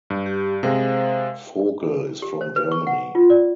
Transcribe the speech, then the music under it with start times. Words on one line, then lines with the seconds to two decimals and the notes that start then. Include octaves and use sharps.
Vogel is from Germany.
0.10 G2
0.26 G4
0.63 C3 G#3 A#4 C5 F5
2.22 G4
2.41 C5
2.56 B4
2.72 C#6
2.87 F#5
3.15 F4
3.30 D5